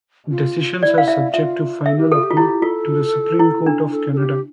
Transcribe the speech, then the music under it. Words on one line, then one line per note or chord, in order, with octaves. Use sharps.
Decisions are subject to final appeal to the Supreme Court of Canada.
F4
E4 D5
F5
E5
F4 E5
A4 E5
G4
F4 A4
G4
F4
E4 G4
F4 A4
E4
D4
A4
A4
G4